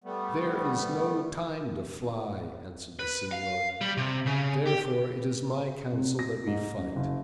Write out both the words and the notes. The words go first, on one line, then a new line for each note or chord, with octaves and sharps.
"There is no time to fly," answered the señor, "therefore it is my counsel that we fight."
G3 A3 B3
B4
F5
G3
C3
C#3
G4
C3
A#6
G#2
F#2
F#1